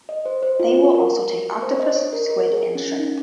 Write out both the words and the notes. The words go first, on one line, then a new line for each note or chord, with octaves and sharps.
They will also take octopus, squid and shrimp.
D#5
C5
C5
F4
F#4
A#4
C5
D#5
C#5
A#4
A#4
G#4
C#4
D#4